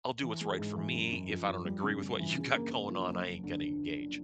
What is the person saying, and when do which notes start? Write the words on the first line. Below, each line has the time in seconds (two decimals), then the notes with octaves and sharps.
"I'll do what's right for me; if I don't agree with what you got going on, I ain't gonna engage."
0.22 E3
0.41 G#3
0.59 G#2
0.76 E3
0.94 F#2
1.12 F#2
1.30 F3
1.47 F3
1.65 G3
1.83 C#3
2.01 C#3
2.19 E3
2.37 C#3
2.54 A#3
2.72 A#3
2.90 F3
3.08 F#1
3.25 F#1
3.44 D3